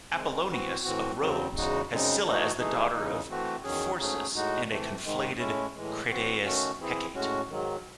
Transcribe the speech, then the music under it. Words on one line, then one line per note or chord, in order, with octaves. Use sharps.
Apollonius of Rhodes has Scylla as the daughter of Phorcys and a conflated Crataeis-Hecate.
D#3 G#3 C4
E3 C4 F#4
A2 E3 C4 F#4
E2 C#3 F#3 C4
E2 C#3 G#3 D#4 F#4
F#2 C#3 G#3 C4 D#4
E3 A3 D#4 F#4
E3 A3 D#4 G#4
E2 C#3 E3 G#3 D#4
E3 A3 C4 F#4
E2 D#3 F#3 C#4 G#4
G#2 F#3 A3 C#4 G#4
A2 G#3 D#4 F#4
C3 E3 A3
G#2 D#3 G#3
A2 G#3 C#4 E4
A2 E3 G#3
E3 C4 F#4
D#3 A3 C#4 F#4
E3 C4 E4 G#4
A2 G#3 C#4 F#4
G#2 D#3 F#3